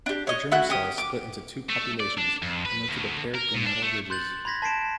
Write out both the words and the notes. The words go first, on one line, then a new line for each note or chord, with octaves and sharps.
The germ cells split into two populations and move to the paired gonadal ridges.
D4 G4
C#5 D#5
A3 E4 F#4 F#6
C#4 G4 D#6
D6
A3
D5
D4
F2
B4
D2
A#4
A#2
D4
A3
C6 F#6 G6 A6 F#7
B5 C6 G#6 A#6 B6
A5 B6 C7 D7 E7